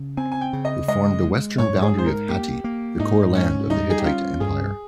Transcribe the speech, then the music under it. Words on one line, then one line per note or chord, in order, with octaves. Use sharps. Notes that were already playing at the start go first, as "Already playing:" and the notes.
It formed the western boundary of Hatti, the core land of the Hittite empire.
Already playing: C#3
C4 G#5
G#5
G5
C#3
D#5
G#3 D#5
G#3
G#2 C#5
G#4
G#2 C5
A#4
A#3 G4
A#3
G#2 D#4
G#2 C#4
G3 D#4
G#4
G4
C#4 F4
G2 G#4